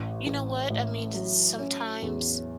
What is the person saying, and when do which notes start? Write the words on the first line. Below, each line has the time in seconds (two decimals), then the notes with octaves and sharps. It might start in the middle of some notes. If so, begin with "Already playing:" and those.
you know what? I mean, d sometimes
Already playing: A1
0.27 A1
0.70 A2
1.14 F#3
1.59 C#4
2.02 E2